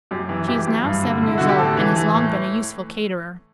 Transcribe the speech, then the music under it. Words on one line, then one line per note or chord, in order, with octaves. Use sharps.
She is now seven years old, and has long been a useful caterer.
F#2 G4
E3
E3 G4
F#2
G2
D3
D3 E4
D3 F#4
G4
A2 A4
E3
E3
A2